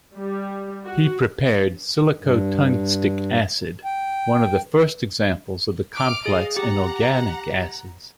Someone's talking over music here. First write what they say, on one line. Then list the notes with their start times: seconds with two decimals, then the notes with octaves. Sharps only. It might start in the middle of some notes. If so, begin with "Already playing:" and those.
He prepared silicotungstic acid, one of the first examples of the complex inorganic acids.
0.16 G3
0.85 F#4
2.21 G2
3.84 G5
5.96 D6 F6 D7
6.26 G#4 D#5 F5
6.57 G4 F#5 A#5